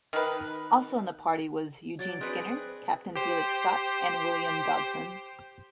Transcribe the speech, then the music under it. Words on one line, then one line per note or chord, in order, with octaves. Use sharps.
Also in the party was Eugene Skinner, Captain Felix Scott, and William Dodson.
D#3 B4
F#3 D5 G#6 A6 D7
C4 G#4 B4 D5 D#5 F#6
C5
G4 C5